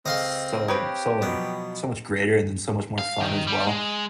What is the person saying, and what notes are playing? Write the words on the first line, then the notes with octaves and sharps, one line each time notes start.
so so like so much greater and then so much more fun as well,
C#2 C4 A4 D#5 F5 C6
C4 G4 B4 C#5 D#6
B2 F3 F#3 B3
F5
D#3
G3
G#3